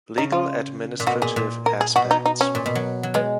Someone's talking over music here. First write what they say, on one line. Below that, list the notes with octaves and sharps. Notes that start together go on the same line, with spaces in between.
Legal administrative aspects.
C#3 D#4
F4
A#2
B2 F#4
A#2 G#4
A#2
A#4
G#4
B2 F#4
D#4
D#4
C#4
A#2
B2
F#3
F#3
G#3 B3